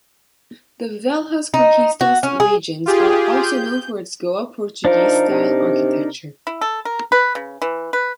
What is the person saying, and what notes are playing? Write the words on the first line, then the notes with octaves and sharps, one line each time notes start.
The Velhas Conquistas regions are also known for its Goa-Portuguese style architecture.
D#4
F#4
C#4
G#4
F4 G4 G#4
G6
F3 D4 D#4 A#4
C3
E4
A4
A#4
B4
C#3
E3
B4